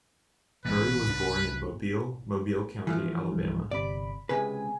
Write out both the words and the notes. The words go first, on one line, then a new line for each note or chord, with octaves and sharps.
Murray was born in Mobile, Mobile County, Alabama.
A1 A#2 B4
C2 D4
E3 F3 A3
C2 G2
G1 C3 D5 B5
C#2 C3 G#4 B4 G#5